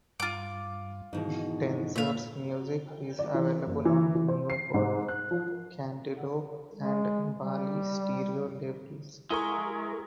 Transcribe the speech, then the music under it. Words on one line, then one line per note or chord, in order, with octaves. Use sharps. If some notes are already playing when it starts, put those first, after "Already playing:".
Tenzer's music is available on New World, Canteloupe and Bali Stereo labels.
G2 F4 D6
G#2 B2 D#3 E3 D#4
A#2 B4 C#5 E5 F5
D5
E3
F#1
E3
E3
C5
C7
G#2
F#6
F3
G#3
G3
G#3 E4 A#4 C#6